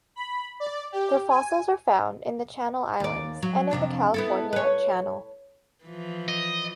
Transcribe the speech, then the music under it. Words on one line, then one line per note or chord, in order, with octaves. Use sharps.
Their fossils are found in the Channel Islands and in the California Channel.
B5
D5
G4
G#5
D#2 D5
F#3
F2 C3 D4
B3 E4 A4
B4 C#5
E3 F3
D#5